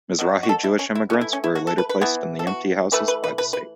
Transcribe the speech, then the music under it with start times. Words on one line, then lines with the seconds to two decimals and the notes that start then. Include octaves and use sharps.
Mizrahi Jewish immigrants were later placed in the empty houses by the state.
0.19 B2 F#3
0.43 F#4
0.49 A4
0.64 E4
0.79 C#4
0.95 E4
1.10 E3 A3 C#4
1.21 E4
1.33 C#4
1.44 E4
1.55 F#4
1.67 A4
1.78 B4
1.89 B4
2.01 E3 B3 E4
2.39 A4
2.47 F#4
2.92 E3 A3 B4
3.08 B4
3.24 B4
3.38 B4
3.53 B4